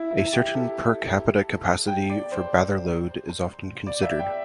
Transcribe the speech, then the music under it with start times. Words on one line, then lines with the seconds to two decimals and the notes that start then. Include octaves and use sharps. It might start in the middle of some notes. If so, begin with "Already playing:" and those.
A certain per capita capacity for bather load is often considered.
Already playing: E4
0.11 E4
0.33 G4
0.55 A4
1.88 G5
2.10 D5
2.32 C5
3.87 D5
4.03 E5
4.19 G5